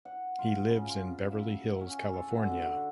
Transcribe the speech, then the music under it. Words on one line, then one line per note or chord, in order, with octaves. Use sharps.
He lives in Beverly Hills, California.
F#5
F4
C#3
F4
E5
C#4
A4
F#4
D3
F#4